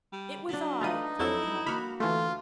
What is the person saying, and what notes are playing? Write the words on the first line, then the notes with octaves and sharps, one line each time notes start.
"It was I," said the cowboy.
G3
F#3 D4 B5
A3 D#4 F4 B4 A#5 D#7
F2 F#3 E4 A4
A#3 F#4 B5 F6
D2 E3 A3 F4